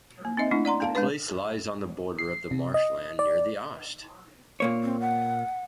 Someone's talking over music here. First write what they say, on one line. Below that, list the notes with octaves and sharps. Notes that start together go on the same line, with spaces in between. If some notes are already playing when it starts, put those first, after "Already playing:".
The place lies on the border of the marshland near the Oste.
A#3
C4 D#4 D#5 E5
A3 C#4 D4 E4
D5 F#5 A#5 C6
B3 F5 A5
G#3 D4 B4
C7
C3
D#5
D5
A#2 A#3 C#5
C4
F#5